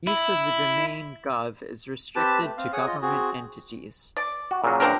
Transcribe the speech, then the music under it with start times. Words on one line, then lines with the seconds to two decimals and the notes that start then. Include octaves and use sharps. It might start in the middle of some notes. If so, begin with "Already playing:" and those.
Use of the domain "gov" is restricted to government entities.
0.07 E4
2.16 C4 G4 B4 A5
2.41 A3
2.57 C4 F5
2.73 G#4 C#5 F#5 D#6
2.87 F4 D#5
3.02 C4 F#4 G#4
4.17 D5
4.51 F#4
4.64 A#2 C#3 F#3
4.80 C4 D4 A#4